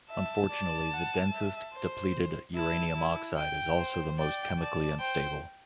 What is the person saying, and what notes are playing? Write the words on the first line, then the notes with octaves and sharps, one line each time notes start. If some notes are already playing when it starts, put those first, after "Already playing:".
Unfortunately, the densest depleted uranium oxide is also the most chemically unstable.
E5 A5
D5
F#5
E5
C5
E4 A5
E4
G5
C5
D5 G5
D5 A5
C5 G5